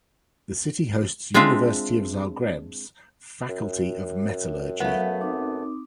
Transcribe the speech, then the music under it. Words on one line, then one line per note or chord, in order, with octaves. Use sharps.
The city hosts University of Zagreb's Faculty of Metallurgy.
G#3 C4 D4 F4 E5
F#2
F#3 A3 B3 F5
C4 D#4 D6